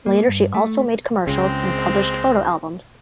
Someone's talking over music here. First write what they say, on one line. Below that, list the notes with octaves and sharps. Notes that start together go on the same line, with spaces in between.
Later she also made commercials and published photo albums.
A#3
G2
A3
C#2 A#2 C#3 G#3 C4